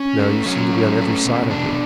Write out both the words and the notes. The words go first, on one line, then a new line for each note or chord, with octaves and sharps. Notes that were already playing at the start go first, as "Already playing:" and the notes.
"No; you seem to be on every side of me."
Already playing: C#4
A3
F#3 C#4
A3
A3
B2
E2 D4